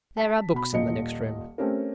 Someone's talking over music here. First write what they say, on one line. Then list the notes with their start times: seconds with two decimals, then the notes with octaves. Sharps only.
There are books in the next room.
0.17 A5 B6
0.53 B2 B5
0.73 D#1 A#2 D#5 C#7
1.58 A3 C4 C#4 G4 A#4